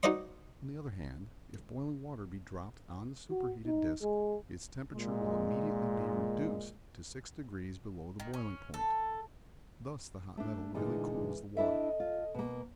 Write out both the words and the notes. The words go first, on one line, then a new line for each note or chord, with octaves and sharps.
On the other hand, if boiling water be dropped on the superheated disk its temperature will immediately be REDUCED to six degrees below the boiling point; thus the hot metal really cools the water.
D#4 F#4 C5 D5 D#5 C6
F#4
D#4
G#3
A#2 G#3
D#3
C#4
A4
A3 D4
A#2 D3 E3 G#3 D#4
D4 E4 A4 D#5 E5
F4
B2 A#3